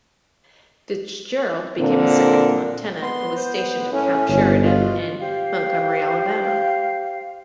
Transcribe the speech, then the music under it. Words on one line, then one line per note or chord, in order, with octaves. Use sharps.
Fitzgerald became a second lieutenant, and was stationed at Camp Sheridan, in Montgomery, Alabama.
A#2 D3 C4 A#4
B3 C6
C5
A2 C#4
G1
B2 F4
G4 C5 F5